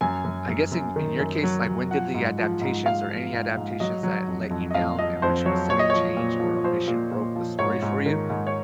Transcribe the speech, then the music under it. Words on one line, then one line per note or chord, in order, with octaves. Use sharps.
I guess in in your case, like, when did the adaptations, or any adaptations that let you down, and which specific change or omission broke the story for you?
F#2 G#5
F#2
F#2
F#2
D#3
F#2
F#3
F#3
F3 F#5
G#2
F3
G#2
G#2 F5
F3
G#2
G#2
F#3 D#5
F#3
F2
F2
D#5
F2 F5
F2 D#5
F2 C5
F#3 C#5
A#2 C#5
D#5
F3 C#5
A#2
F3
F3 C5
A#2
A#2
F3
G#2 C#5
G#2
D#3
G#2
C#5